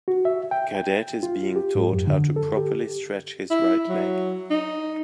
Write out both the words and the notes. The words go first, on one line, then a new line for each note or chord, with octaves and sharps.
A cadet is being taught how to properly stretch his right leg.
F#4
E5
G5
G5
F4
G4
G#2
F#2
D3
A4
G4
E4
F#3
D#4